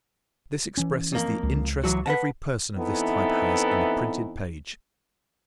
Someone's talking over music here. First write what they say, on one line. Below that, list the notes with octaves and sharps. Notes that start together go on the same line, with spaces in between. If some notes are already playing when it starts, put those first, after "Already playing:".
This expresses the interest every person of this type has in the printed page.
E3 C#4
F2 A#3
C#2
E3 F#3 F#4
B4 F#5 A5
E3 B3 C4 D#4 E4 A4